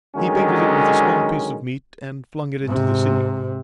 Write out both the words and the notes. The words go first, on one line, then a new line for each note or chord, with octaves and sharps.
He baited it with a small piece of meat and flung it into the sea.
D3 D#3 F#3 G#3 C#4
G#2 C3